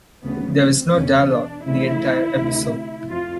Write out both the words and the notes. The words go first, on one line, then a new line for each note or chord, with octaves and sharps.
There is no dialogue in the entire episode.
D2 C#3 E3 B3
C4
E2 B2 C#4
D4
D2 C#3 E3 E4
D2 C3 D#3
F2 F4